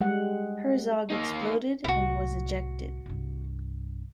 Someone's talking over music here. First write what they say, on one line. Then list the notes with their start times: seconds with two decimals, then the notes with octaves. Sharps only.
Herzog exploded and was ejected.
0.01 G3 G#3 F#5
1.10 A#3 D#4
1.84 C2 A2 E4 F#4
3.06 C2 G2